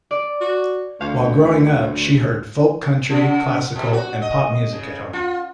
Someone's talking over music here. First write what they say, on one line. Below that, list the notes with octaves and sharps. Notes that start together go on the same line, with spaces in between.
While growing up, she heard folk-country, classical, and pop music at home.
D5
F#4
D2 F5
C#3
B2
F#4
D#5
C#3
F4